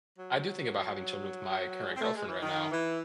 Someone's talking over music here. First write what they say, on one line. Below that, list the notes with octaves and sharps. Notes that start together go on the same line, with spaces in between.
I do think about having children with my current girlfriend right now.
F#3
G#3
C4
A3
G#3
E3
D#3
E3